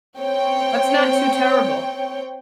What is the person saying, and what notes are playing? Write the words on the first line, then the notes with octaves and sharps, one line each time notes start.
That's not too terrible.
C4 C#5 G5